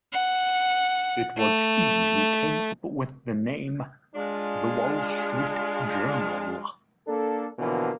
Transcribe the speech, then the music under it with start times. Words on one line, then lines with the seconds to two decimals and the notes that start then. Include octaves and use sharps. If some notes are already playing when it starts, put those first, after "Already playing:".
It was he who came up with the name "The Wall Street Journal".
0.13 F#5
1.38 A3
4.15 G#3 D4 F4
7.07 A#3 D4 A4
7.59 B2 D3 E3 F3 A#3